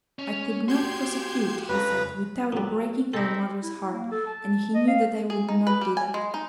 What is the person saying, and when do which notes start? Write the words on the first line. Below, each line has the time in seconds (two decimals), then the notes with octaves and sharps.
I could not prosecute, he said, without breaking our mother's heart, and he knew that I would not do that.
0.19 C#4
0.68 F#4 G4 C6 G6 G#6
1.69 F2 C#3 B4 A#5
2.52 F2 F#3 G3
3.14 C4 D#4 E4 A4 E5
3.63 E4
3.93 A#3
4.12 A4
4.26 A5
4.74 D#5
4.87 F5
5.30 G#4
5.49 D#4
5.67 B4
5.81 G3
5.97 G#5
6.14 G#3
6.34 D#4